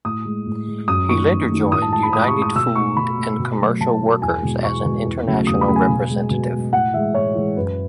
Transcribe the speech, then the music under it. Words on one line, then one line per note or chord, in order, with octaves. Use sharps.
He later joined the United Food and Commercial Workers as an international representative.
A2 D#6
G#3
A2
G#3
F#2 D#6
D#3 A3 C#6
F#2
D#3 A3
A2 D#6
A5
G#3 A5
B5
A2 D#6
C#6
G#3
D#6
B2 E6
A3 C#6
B2 B5
A3
B2
F#3 A3
B2 A5
F#3 A3
E2 G#5
B2 G#3
E2 C#6
B2 G#3
E2
C#3 F#3 A3
E2 D#6
B5
C#3 F#3 A3
G#5
B2
G#3
B2
G#3
A2 F#5
E3 G#3 E5
A2 C#5
E3 G#3
F#2 B4